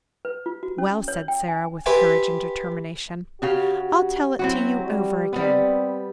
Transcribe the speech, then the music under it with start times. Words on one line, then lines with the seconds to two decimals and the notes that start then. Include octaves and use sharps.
"Well," said Sara, with courage and determination, "I'll tell it to you over again."
0.25 B4
0.46 F4
0.63 F#4
0.78 C#4
1.08 C#5
1.28 G5
1.48 G#5
1.86 G4 B4 C5 E5 G5 G#5
3.42 C#3 F#4 G4 F5
4.39 F#3 C4 E4 F#4
4.86 G3
5.33 G3 B3 C4